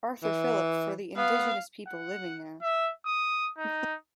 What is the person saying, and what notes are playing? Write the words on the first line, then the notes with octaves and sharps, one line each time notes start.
Arthur Phillip for the indigenous people living there.
E3
B3 F5
F#5
E5
D#6
D#4